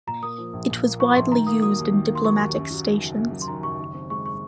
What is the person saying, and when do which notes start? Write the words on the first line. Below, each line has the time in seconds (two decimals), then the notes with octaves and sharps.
It was widely used in diplomatic stations.
0.07 A#2 A#5
0.22 A#3 D#6
0.38 F3
0.53 A#1
0.70 A#2
0.84 A#3
1.00 F3 C#6
1.16 A#1 C6
1.32 D#3 A#5
1.47 A#3 D#6
1.62 F#3 D#6
1.78 D#2
1.93 D#3
2.08 A#3
2.15 C6
2.25 F#3 C#6
2.39 D#2
2.55 F#2
2.71 F#3
2.86 D#3
3.01 F#1
3.17 F#2
3.32 F#3
3.42 C6
3.48 D#3 A#5
3.63 F#1 C#6
3.79 D#3
3.94 C4
4.10 G#3 C#6
4.26 C#6